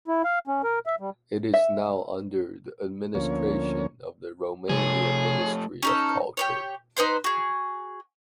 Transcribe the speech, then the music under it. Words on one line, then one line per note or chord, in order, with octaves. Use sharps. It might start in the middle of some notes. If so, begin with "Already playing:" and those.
It is now under the administration of the Romanian Ministry of Culture.
E4
F5
C#4
A#4
E5
G3
E5
D2 F3 A#3 C#4 C#5
C3 F3 A3 G#4 C#5
C#4 D#4 A4
G4 B4 C#5
D#4 B4 C5 C6
F#4 G#4